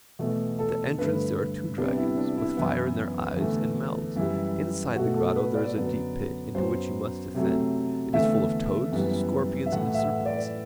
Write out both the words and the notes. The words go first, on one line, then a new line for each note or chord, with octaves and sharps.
At the entrance there are two dragons, with fire in their eyes and mouths; inside the grotto there is a deep pit into which you must descend, it is full of toads, scorpions, and serpents.
E2 B2 A3
A4
G2 D3 A3 B4
C3 G3 B3 D4
E4
D4
E4
F#2 E3 B3
E2 D3 A3
F#2 E3 G3 E4
B2 A3 F#4
A4
B4
D5
F#2 D3 F#3 B3
F#2 F#3 B3 C5
C3 F#3 A3
E2 D3 A3 E5
F#2 E3 G3 B3
E5
A2 E3 A3 F#5
E5
F#5
D5